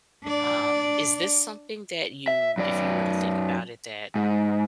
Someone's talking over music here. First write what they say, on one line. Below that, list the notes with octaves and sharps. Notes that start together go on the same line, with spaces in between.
um, is this something that you if you were to think about it, that
D4 D5
E5
F#2 D5
G#2